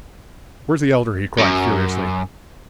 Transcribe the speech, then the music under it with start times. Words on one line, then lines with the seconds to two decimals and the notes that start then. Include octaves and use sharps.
"Where's the Elder?" he cried furiously.
1.39 F#2